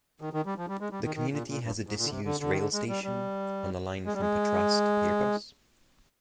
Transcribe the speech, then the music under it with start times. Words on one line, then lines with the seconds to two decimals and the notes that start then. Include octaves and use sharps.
The community has a disused rail station on the line from Patras to Pyrgos.
0.21 D#3
0.33 D#3
0.46 G3
0.58 F3
0.68 G3
0.80 G#3
0.92 G3
1.05 D#3
1.15 D#3
1.32 A#2
1.48 A#2
1.63 G2
1.87 G#2
1.98 A#2
2.05 D3
2.09 C3
2.25 D3
2.41 D3
2.52 D#3
2.57 D3
2.73 G#3
2.89 G3
3.04 G3
4.06 G#3
4.13 G3
4.20 G#3